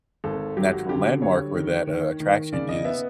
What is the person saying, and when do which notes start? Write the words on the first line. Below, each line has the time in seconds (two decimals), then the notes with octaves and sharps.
natural landmark or that, uh, attraction is,
0.24 G#1 A4
0.57 F#3 G4
0.72 F#4
0.89 D3 G4
1.22 G3 C#5
1.55 D#3
1.87 D#3
2.20 D#3
2.52 C#3 D5
2.69 D#5
2.85 B3 E5